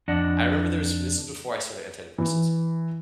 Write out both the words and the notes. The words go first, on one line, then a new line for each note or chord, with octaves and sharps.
I remember there was this is before I started antidepressants.
F2 D4 D#5 F#5
E3